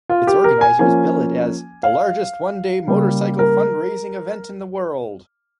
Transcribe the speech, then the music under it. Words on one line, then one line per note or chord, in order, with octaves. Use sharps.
Its organizers bill it as "The Largest One-Day Motorcycle Fund-Raising Event in the World".
F4
G4
A#4
G#5
F3 A#3 C#4 G#5
F5
C#3 G3 A#3
A#4